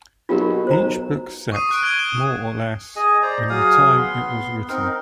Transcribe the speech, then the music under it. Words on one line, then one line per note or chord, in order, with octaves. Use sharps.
Each book set, more or less, in the time it was written.
B1 F4 G4 A#4
B2
B1 C5 A#5
C#6 D#6 C7 D#7
C#6 F#6 D7
C#6 F6 G#6 D7 D#7 G7
E7
G#4 D#5 G#5
C5 D5 A#5
F#3 G#4 F5 D#6
B3 C6
C4 D#4 A#4